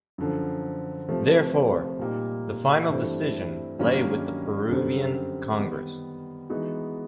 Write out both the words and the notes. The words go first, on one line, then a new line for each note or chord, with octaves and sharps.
Therefore, the final decision lay with the Peruvian Congress.
F#2 D3 F3
C3 F3 A3
A#2 G3 A#3 D#4 G4
G2 E3 A3 C4 E4
G2 D#3 F#3 A#3 C#4
F#2 D3 G3 C4
D#3 G3 B3
E3 G#3 B3 D#4 F#4